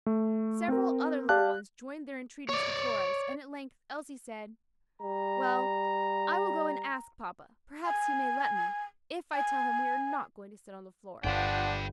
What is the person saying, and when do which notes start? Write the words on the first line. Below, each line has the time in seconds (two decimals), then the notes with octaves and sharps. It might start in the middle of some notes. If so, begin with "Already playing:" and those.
Several other little ones joined their entreaties to Flora's, and at length Elsie said, "Well, I will go and ask papa; perhaps he may let me, if I tell him we are not going to sit on the floor."
0.06 A3
0.68 C4 A#4
1.29 G4 D5 F5 A5 F#6
2.49 C#5 D5
5.02 G3 A#5
7.85 G#5
9.34 G#5
11.24 G1 G2 F3 D4 B4 F#5 G5